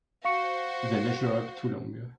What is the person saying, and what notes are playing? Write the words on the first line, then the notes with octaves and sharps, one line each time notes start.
They measure up to long.
F#4 C5 F5 C#6 C#7